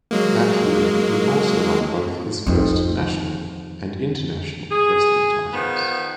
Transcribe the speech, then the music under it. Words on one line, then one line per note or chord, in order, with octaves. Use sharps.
That year he also won both his first national and international wrestling titles.
F#3 G#3 A#3
F2 D#4
G#4
D#3 F3 B3